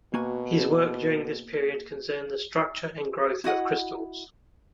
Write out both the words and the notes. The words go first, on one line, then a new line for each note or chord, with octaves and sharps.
His work during this period concerned the structure and growth of crystals.
B2 A#3 F#4 G#5
E4 F#4 D#5 F#5